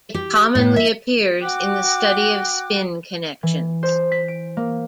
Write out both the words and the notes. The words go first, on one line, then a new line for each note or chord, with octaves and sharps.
It commonly appears in the study of spin connections.
G4
A2
E5
F#4 G5 D6 F#6
E3
C5
B6
D7
A#3